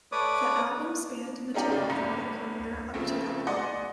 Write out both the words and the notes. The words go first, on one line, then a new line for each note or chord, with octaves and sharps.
The album spanned material from their career up to that point.
A3 B4 C#5 D5 D6 D#6
G#3 C#4 D#4 G4 D5
F1 C#3 D5
G1 E2 B5
F2 C#3 F3 A3 C4
D5 D#5 F#5 G#5 C6 D6